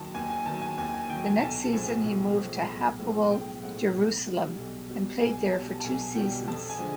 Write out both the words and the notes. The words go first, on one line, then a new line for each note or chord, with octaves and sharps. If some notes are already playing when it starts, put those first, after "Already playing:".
The next season, he moved to Hapoel Jerusalem and played there for two seasons.
Already playing: D#2 D#3 F#3 A5
D#2 G#5
G#5
D#3 F#3 A5
G#5
D#2 G#5
G#5
D#3 F#3 G5
G#5
B1 A5
A2 F3 G#3 G#5
B1
A2 F3 G#3
B1
A2 F3 G#3
B1 G5
A2 F3 G#3 F#5
B1
B2 G3
B1
B2 G3
B1 G#5
B2 G3 A5
A5
B1 G#5
B2 G3 G5
F2 A5
G#5
D3 F3 G#3